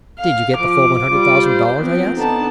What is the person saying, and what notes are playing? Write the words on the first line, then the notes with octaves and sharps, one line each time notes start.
"Did you get the full one hundred thousand dollars?" I asked.
F5
F3 D6
G3 F4
C5
F3 B3 C4
D3 B3 D#4 A5